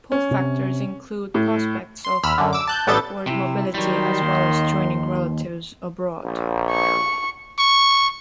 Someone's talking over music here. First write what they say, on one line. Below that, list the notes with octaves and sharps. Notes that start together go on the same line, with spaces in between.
Pull factors include prospects of upward mobility as well as joining relatives abroad.
C#4
C3
A2
C6
D#2 B5 E6 F6
F#2 D3
D6 E6
A5 F#6 G6
A1 B3 D4 A4 G6 A6
C3 E4
D#3 F#3 G3 C6
D#2
A#1
C#6
C#6